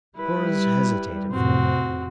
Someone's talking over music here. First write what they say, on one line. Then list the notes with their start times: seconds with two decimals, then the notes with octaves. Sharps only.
Torres hesitated for a moment.
0.17 G3 E4 B4
1.31 F2 A2 C3 C4 F#4